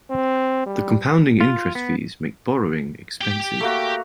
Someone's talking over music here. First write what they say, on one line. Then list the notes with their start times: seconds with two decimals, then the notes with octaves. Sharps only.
The compounding interest fees make borrowing expensive.
0.11 C4
0.66 G3
1.41 F4
1.75 B3
3.21 G4 G5
3.60 A3 A#3 F#4